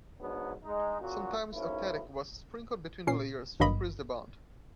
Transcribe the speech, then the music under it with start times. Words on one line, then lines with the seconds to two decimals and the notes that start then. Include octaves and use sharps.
Sometimes eutectic was sprinkled between the layers to increase the bond.
0.20 G#2 F#3 B3 D4
0.64 G#3 D#4
1.01 A#2 C#3 F#4
1.53 B1 G#2 A#3 C#4 E4
3.07 A#2 C#4 C7
3.60 G#1 G2 F#3 A#3 D#5 B5